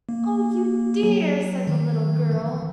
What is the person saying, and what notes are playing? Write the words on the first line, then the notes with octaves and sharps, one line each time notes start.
"Oh, you dear!" said the little girl.
A#3
F#3
D#3
E3
E3